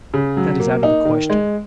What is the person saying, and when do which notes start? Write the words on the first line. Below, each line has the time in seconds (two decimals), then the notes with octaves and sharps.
That is out of the question.
0.14 C#3
0.37 F#3
0.60 A#3
0.83 D#4
1.05 D#3
1.30 G#3